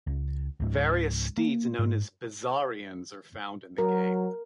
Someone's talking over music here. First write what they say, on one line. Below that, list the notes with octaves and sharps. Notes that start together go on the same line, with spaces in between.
Various steeds known as bizarrians are found in the game.
C#2
C#2 G#2
A#3
G#2
F#3 A#4